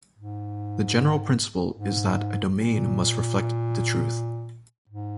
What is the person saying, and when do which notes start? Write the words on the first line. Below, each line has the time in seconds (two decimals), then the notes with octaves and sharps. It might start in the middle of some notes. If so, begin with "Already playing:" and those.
The general principle is that a domain must reflect the truth.
0.19 G#2
1.76 G#2
2.54 A#2
4.89 G#2